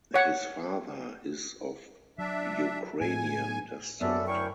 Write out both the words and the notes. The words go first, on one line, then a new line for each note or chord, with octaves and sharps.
His father is of Ukrainian descent.
C#5 F#5
F#3 D4 E5
A2 G#5
F#2 B3 F#4 A4 D5 E5
D2 D4 E4 A#4 G5 C#6 F6